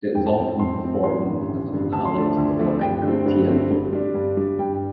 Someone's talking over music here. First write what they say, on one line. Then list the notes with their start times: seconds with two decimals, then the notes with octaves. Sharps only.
It is often performed as a finale to a flamenco tiento.
0.15 F2 G5
0.26 A5
0.37 F3 C4 G5
0.48 A5
0.59 F2 C6
0.82 F3 C4
1.03 A1 C6
1.26 G2 D3
1.48 A1
1.71 G2 D3
1.93 D2 A5
2.05 C6
2.15 D3 F3 A3 D4 A5
2.36 D2
2.59 D3 F3 A3 D4
2.81 G2 G5
3.03 D3 A3 C4
3.26 G2
3.48 D3 A3 C4
3.70 G2
3.92 G3 D4
4.14 G2
4.37 G3 D4
4.59 G2 G5